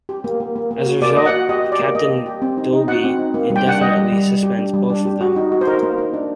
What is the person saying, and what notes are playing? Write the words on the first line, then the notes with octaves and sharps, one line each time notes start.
As a result, Captain Doby indefinitely suspends both of them.
G4
A#3
A#3
A#3
A#3
F#4
A#3 D5
A#3 D#5
F#5
F#4
G4 D#5
G4
D5
A#3
A#3 D#5
G4
G4
C4
D#4
D#4
F#4 F#5
C4
D#4
A#3
G3
G5
D4 F#5
G3 D#5
G3
G3
G3
G4
D4
G3
D4
G4
F#4
D#4
F#4
C5
D#4 A#4
A#3
D#4
D4